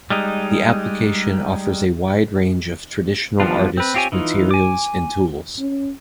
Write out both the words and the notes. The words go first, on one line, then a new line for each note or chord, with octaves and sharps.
The application offers a wide range of traditional artists' materials and tools.
G3 G#3 D#4
F3 G3 B3 D4 F4
C4 B4
C4 F4 G4 C#5 G#5
E3 D#4 F4
G#5 D6
C#4